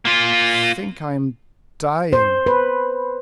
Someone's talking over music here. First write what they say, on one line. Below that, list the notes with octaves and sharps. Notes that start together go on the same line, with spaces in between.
"I think I'm dying."
A#3 F4
C5
B4